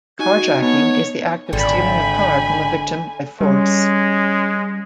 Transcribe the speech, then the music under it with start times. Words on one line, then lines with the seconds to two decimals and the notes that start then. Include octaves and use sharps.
Carjacking is the act of stealing a car from a victim by force.
0.19 D#4 F#4 G#5
0.62 B3 C#5 F#5 A5
1.53 G#1 D3 G5 G#5 B5
3.41 G3 G#3 C#4 C#5